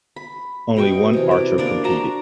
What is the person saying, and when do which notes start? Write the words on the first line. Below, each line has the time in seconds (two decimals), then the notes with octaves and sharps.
Only one archer competed.
0.16 B5
0.76 B2 D#5 G5 C#6
1.13 C3 E3
1.31 D5
1.58 A#3 D4 D5
1.84 D4 F#4 A5 A#5